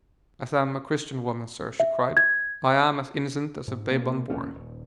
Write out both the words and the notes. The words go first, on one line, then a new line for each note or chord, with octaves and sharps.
"As I am a Christian woman, sir," she cried, "I am as innocent as a babe unborn!"
E5
G#6
G#2
B2 A#3
F1 D2 A#2 C#4
D#1